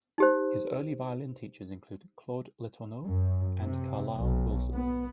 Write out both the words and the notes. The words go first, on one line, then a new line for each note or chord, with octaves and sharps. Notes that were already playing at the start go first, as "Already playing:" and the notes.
His early violin teachers include Claude Letourneau and Carlisle Wilson.
D#4 G4 C5
F#2
C3
B1
B3